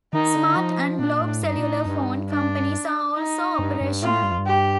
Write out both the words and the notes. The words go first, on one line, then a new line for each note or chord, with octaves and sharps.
Smart and Globe cellular phone companies are also operational.
D#3 D#4
D3
F3
A#2 D4
A2
G2 D#4
A#2
A2
G2
D4
D#4
G2
G2
A2 F4
G2
F2
G2
G4